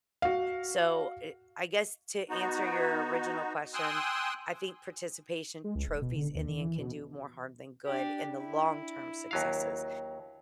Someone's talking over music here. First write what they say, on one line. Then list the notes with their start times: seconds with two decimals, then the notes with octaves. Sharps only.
So, er, I guess to answer your original question, I think participation trophies in the end can do more harm than good in the long-term successes.
0.22 F#4 F5
2.29 B3 D#4 F#4
3.74 G5 G#5 C6 D#6 E6 F#6
5.64 G#3
5.75 C#2
5.88 D#1
6.02 B2
6.16 D3
6.35 D#2
6.48 D#3
6.61 E3
6.78 B2
7.86 D4 G4
8.35 E4
9.31 D#2 F#3 F5